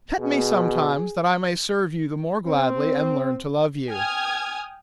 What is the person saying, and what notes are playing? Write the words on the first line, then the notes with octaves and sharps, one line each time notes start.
Pet me sometimes, that I may serve you the more gladly and learn to love you.
B2 G#4
C4
G5 G#5 D#6 F6 G#6